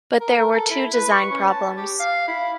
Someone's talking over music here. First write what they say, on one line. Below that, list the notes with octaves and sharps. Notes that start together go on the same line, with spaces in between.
But there were two design problems.
A#4
A#4
A4
E4
B4
C#6
C#4
A5
G4
F5
E4